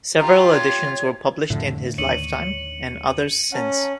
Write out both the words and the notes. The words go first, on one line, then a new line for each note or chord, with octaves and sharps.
Several editions were published in his lifetime, and others since.
F4 G4 A#5
C#5
F2 A2 D3 E5
D#2 D4 C#5 C#7 D#7 F#7
C#4 F#5 A5 A#5